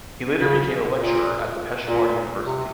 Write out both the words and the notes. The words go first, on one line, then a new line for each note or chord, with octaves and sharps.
He later became a lecturer at the Peshawar University.
C#3
A#2
A#2
C3